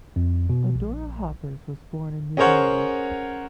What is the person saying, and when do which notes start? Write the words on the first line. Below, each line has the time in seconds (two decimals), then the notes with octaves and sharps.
Odora Hoppers was born in Uganda.
0.16 F2
0.50 B2
0.75 A#1
2.37 C#4 G#4 A#4 C5 C#5 F#5